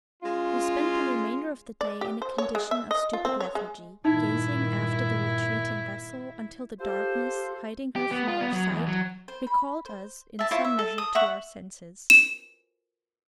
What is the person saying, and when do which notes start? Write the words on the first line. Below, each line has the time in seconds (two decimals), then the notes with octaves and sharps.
WE spent the remainder of the day in a condition of stupid lethargy, gazing after the retreating vessel until the darkness, hiding her from our sight, recalled us in some measure to our senses.
0.23 G#3 C#4 F4
1.81 D5
2.01 G4
2.22 C5
2.38 C#5
2.55 G#3
2.71 E5
2.91 D#5
3.13 F4
3.25 C4
3.40 C#5
3.55 G#3
4.05 G2 A#2 D#3 D#4 E4
6.80 F4 G4 A4 C5
7.96 G4
8.11 B3
8.28 F4
8.41 B3
8.52 F#3
8.70 E2
8.87 F#3
9.28 C5
9.47 B5
9.86 C5
10.39 E5 A5
10.51 E4 F4 C#5
10.65 E5
10.79 A4
10.98 D#6
11.15 E5 F#5 C#6
12.10 E7